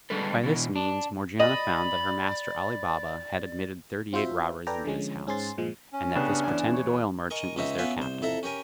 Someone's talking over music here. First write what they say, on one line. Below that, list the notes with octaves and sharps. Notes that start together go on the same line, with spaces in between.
By this means Morgiana found that her master Ali Baba had admitted thirty-eight robbers into his house, and that this pretended oil merchant was their captain.
D3 G3 G#3 A4 B4
B2 E3
D4
D5 D#5 B5
C4 F4 F#4 C5 E5
A4 B4 D5 G5 G#5 A#5
D3 F3 G#3 C#4
G#2 C#4 G#4 C5 C6 A6
G2 A#2 F3 G#3
C#4
C#3 B3 D4 G4
E2 D5 G#5
C#5
A#4 D#5 G#5 C#6
C#2 G#3 C#4 D#4 E5 A#5
B3 C#4 F4 B4 E5 F5
C2 C5
F2 E4 A4 E5 A#5
C#4 G4 A#4 G#5